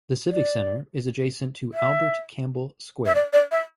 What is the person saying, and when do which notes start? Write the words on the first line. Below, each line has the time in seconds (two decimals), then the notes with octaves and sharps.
The civic centre is adjacent to Albert Campbell Square.
0.31 D5
1.74 E5
3.06 E5
3.15 D5
3.33 D5
3.51 E5